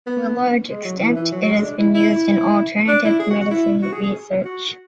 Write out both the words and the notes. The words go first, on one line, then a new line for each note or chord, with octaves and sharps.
To a large extent, It has been used in alternative medicine research.
B3
G#3
F#3
E3
E3
F#3
F#3
G#3
D4
E4
E4
E4
D4
E4
G#4
F#4
F#4
E4
F#4
G#4
G#4
F#4